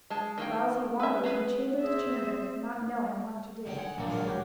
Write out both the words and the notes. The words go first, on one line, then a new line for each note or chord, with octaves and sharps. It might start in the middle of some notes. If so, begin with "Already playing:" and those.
Whiles he wandered from chamber to chamber, not knowing what to do.
G#3 A5
D#3 A#3 G5
B4 E5
B3 G#4 B4
C4 G#4 E5
E2 D3 D#4 G5
F#5 G#5
A#1 D#3 F#3 A#3 D5
G#3 C#4 A#4
F#4 G4 C#5